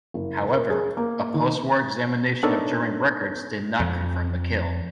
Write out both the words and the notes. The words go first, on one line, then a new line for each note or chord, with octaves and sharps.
However, a post-war examination of German records did not confirm the kill.
F#1
A#4
G#4
A#3
D#3
B3 D4 D#4 A4 A#4 C#5
F2